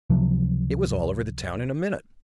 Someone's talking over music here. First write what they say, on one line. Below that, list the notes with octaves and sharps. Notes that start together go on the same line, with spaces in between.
It was all over the town in a minutes.
C#2 C3 F3 F#3